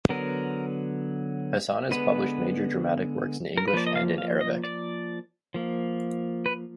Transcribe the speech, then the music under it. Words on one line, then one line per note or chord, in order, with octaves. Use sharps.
Hassan has published major dramatic works in English and in Arabic.
D3 F#3 B3 A#4
D3 G#3 B3 B4
A#4
B4
F3 A#3 D5
D#5
F5
F5
D#5
D5
F3 A#3
B4